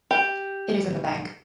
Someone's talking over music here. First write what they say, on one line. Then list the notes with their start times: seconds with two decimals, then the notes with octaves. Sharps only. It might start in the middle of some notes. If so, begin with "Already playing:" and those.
It is in the bank.
0.11 G4